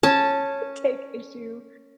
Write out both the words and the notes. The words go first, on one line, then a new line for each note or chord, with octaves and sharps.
take issue
C#4 A5